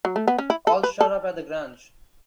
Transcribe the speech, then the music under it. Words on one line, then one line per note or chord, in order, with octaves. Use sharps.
All’s shut up at the Grange.
F#3
A3
B3
C#4
E4
A4
B4
A4